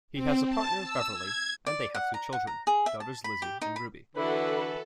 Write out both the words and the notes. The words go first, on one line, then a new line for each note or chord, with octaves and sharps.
He has a partner Beverly, and they have two children, daughters Lizzie and Ruby.
C4
A5
E6
G#6
D5
F#5
A#5
F#5
A#5
G#4
E5
A5
B5
G4
D#4
B5
D3 E3 E4 F#4 A4 B4